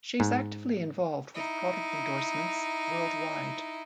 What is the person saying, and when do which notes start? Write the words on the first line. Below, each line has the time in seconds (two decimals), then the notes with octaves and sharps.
She is actively involved with product endorsements worldwide.
0.20 G#2
1.34 D#4 E4